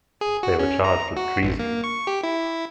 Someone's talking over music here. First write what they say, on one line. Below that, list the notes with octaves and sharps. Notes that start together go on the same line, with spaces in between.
They were charged with treason.
G#4
F#4
C#4
A#5
F#4
A1
A#3
C#6
G4
E4